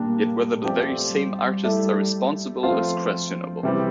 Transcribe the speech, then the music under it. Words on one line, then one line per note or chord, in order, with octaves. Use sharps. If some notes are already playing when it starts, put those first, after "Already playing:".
Yet whether the very same artists are responsible is questionable.
Already playing: A#2 G3 A#3 D4
F3 A3 C4 G4 D5
G3
A3 E4 A4 D5
F3 A3 C4 F4 C5 F5
C3 E3 G3 C4 G4